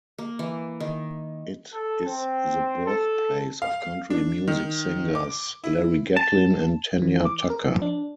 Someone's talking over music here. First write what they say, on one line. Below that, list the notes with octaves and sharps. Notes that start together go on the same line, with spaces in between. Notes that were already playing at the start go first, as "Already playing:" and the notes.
It is the birthplace of country music singers Larry Gatlin and Tanya Tucker.
A#3
E3
D#3
A4
C4
A4
F5
D4
D#3
D6
E4
A5
E3
D6
A#4
F3
D4